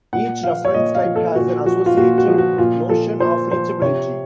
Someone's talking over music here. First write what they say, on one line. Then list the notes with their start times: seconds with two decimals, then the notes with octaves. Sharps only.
Each reference type has an associated notion of reachability.
0.13 A#2 F#5
0.43 F3 F5
0.65 C#5
0.74 A#2 D#5
0.95 F5
1.05 F3
1.16 A4
1.35 A#2 F#4
1.66 F3 F#4
1.86 F4
1.97 A#2 F#4
2.18 F#4
2.28 F3
2.38 F#4
2.58 A#2 F4
2.89 F3 A4
3.20 A#2 C5
3.51 F3 C5
3.82 C3 C#5